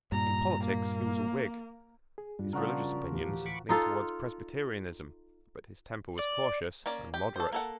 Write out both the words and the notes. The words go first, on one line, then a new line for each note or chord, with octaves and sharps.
In politics he was a Whig: his religious opinions leaned towards Presbyterianism: but his temper was cautious and moderate.
G2 A#2 A#5
A#3
G#4
G2 G3 D4 F4
C#3 F3 F#4 A#4 D5
D2 A2 E3 G4
B5 C#6 D6
D#4 F4 A4
D5
A#3 C#4 D5
G4
A4 C5
A#3 A4 F#5